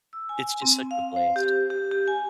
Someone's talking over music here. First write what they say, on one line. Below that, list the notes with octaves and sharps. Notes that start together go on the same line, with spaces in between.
it's just such a blast.
E6
G#5
C4
F5
C5
G4
G4
G4
G#5